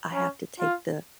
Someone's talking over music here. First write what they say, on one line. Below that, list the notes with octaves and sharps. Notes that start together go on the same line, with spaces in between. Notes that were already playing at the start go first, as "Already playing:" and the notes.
I have to take the
C#4
F4